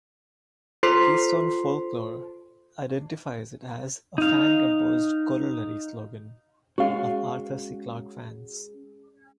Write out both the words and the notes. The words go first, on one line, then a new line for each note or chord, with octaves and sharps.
"Keystone Folklore" identifies it as a "fan-composed corollary slogan" of Arthur C. Clarke fans.
F4 A4 C5 C6 B6 C7
D#4 F5
G#3 C#4 F#4 G#4 F5